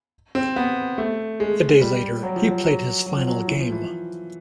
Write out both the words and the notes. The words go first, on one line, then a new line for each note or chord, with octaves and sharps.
A day later, he played his final game.
C4
B3
A3
G#3
G3
F#3
F3
F#3
F#3
F#3
F3
F#3
E3
F3
E3